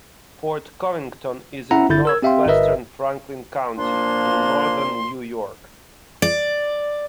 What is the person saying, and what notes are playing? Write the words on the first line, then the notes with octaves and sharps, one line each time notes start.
Fort Covington is in northwestern Franklin County, in northern New York.
C#4 E4 E5 F#5 A#5
G1 D3 E4 G6 A6
A#4 E6 G#6
C4 G4 E5 F5 G5 C6
G1 A#4 B4 D#5 E5
A#2 F3 A#3 D4 C6
D5